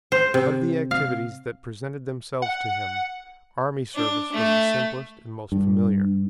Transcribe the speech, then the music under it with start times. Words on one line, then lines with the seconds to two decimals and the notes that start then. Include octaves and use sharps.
Of the activities that presented themselves to him, army service was the simplest and most familiar.
0.12 C5
0.34 C3
0.91 F5
2.42 F#5
3.95 D4
4.32 A3
5.52 G2